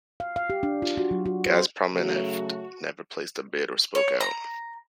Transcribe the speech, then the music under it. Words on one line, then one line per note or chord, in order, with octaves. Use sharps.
Gazpromneft never placed a bid or spoke out.
F5
F5
G4
D4
F4
F#4
F#3
F#4
C5
C#3 F#3 A3 F#4
C#5
A#5